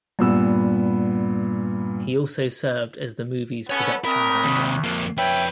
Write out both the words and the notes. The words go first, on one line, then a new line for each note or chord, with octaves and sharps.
He also served as the movie's production manager.
G2 A#2 B3 E6
B3 A4 C#5 G#5
D2 C4 A#4 B5 D#6
D#2 C3
F2 A#3
F2 B4 C#5 E5 G5